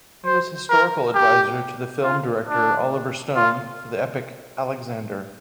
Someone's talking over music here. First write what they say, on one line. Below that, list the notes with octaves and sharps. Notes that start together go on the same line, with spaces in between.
He was historical advisor to the film director Oliver Stone for the epic "Alexander".
C5
A#4
G4
F4
D4
F4